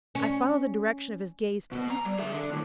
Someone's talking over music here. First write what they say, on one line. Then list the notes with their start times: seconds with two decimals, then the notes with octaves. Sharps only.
I follow the direction of his gaze to eastward!
0.15 C#4
1.72 B2 B3
1.90 A#5
2.05 G3
2.19 G#4 E5
2.34 D3
2.50 D#2 A2